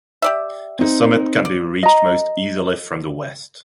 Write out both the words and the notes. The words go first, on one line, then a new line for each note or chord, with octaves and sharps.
The summit can be reached most easily from the west.
G4 D5 E5
C4 D#4
D5
D#5 A#5